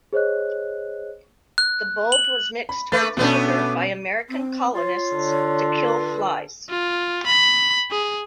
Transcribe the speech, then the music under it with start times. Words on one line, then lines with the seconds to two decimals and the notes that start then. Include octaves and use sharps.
The bulb was mixed with sugar by American colonists to kill flies.
0.13 G#4 C5 C#5 D#5 F#6
1.58 F#6
2.12 F#7
2.69 B5
2.92 A3 B4 D6 A6
3.17 B2 A3 B3 C#4 D4
4.30 C4
4.75 F4 C#5
5.15 D3
5.85 B4
6.69 F4
7.26 B5
7.91 G#4